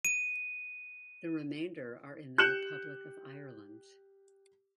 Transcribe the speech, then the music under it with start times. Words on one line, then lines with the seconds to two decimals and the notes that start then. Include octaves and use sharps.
The remainder are in the Republic of Ireland.
0.05 D#7
2.38 G4 F#6 G6 C#7 E7 F#7